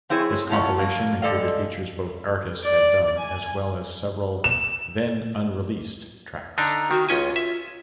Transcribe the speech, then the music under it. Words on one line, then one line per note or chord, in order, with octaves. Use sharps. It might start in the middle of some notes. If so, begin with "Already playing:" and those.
This compilation included features both artists had done, as well as several then-unreleased tracks.
F3 C4 E4 G#4 C#5
A2 C3 F#3 C#4 F4
F2 A#3
G3 G#3 A4 D5 D#5 F5
D5
G#5
E7
D3 D4 D#4 A#5
D#3 F#4
C#2 C#4 F4 G#5
E5